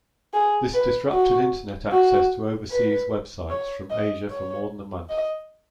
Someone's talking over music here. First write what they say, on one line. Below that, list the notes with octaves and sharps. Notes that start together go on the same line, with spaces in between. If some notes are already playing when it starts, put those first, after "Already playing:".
This disrupted Internet access to overseas websites from Asia for more than a month.
G#4
B4
F#4
F#4
B4
C#5
D#5
C#5
D#5